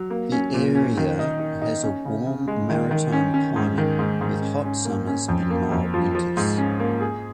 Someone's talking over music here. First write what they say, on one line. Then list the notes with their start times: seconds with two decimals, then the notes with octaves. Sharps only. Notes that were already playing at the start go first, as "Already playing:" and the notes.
The area has a warm maritime climate with hot summers and mild winters.
Already playing: F#3
0.10 A#3
0.32 C#4
0.54 A#2
0.75 C#4
0.97 D#3
1.19 D#4
1.40 D#4
1.62 D#4
1.83 C#4
2.05 C#3
2.26 C#3
2.48 G#3
2.70 D#3
2.91 D#3
3.12 C#4
3.34 C#4
3.56 G#2
3.78 D#3
3.99 G#2
4.21 G#2
4.42 C#4
4.64 C#4
4.85 A#3
5.07 C#4
5.28 F2
5.50 A#3
5.72 F2
5.94 F3
6.15 F3
6.37 G#2
6.58 C#4
6.80 A#3
7.01 G#4